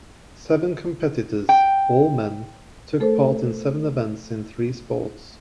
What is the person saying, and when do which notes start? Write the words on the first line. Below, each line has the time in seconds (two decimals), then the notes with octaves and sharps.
Seven competitors, all men, took part in seven events in three sports.
1.49 G5
3.00 A3 A4 A#4 C5